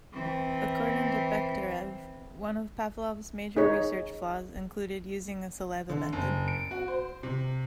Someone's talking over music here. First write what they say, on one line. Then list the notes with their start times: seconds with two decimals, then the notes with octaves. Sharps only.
According to Bekhterev, one of Pavlov's major research flaws included using a saliva method.
0.13 E3 C4
3.56 D#4 G#4 C#5
5.89 D3
6.13 F#1
6.48 D7
6.71 F#4
6.88 C5
7.23 C3